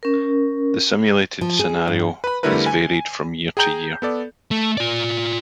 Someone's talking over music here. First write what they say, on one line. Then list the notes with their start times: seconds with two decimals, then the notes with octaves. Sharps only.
The simulated scenario is varied from year to year.
0.03 C#4 A#4
1.41 F3
1.59 G#4
1.88 G2
2.24 B4 B5
2.43 D3 G3 A3 E4 A#4 B4
2.66 G#5
3.57 G#4 G5 A#5 G6
4.02 B3 A4 D5
4.51 A3
4.78 F4 D5